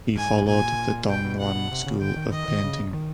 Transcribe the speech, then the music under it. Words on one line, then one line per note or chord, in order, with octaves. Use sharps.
He followed the Dong Yuan school of painting.
G#2 G#5
A2
A#2 G#5
B2 G5
B2
B2 F#5
B2
C3
C#3
D3 G5
D#3
D#3 D#5
D#3
C#3
D#3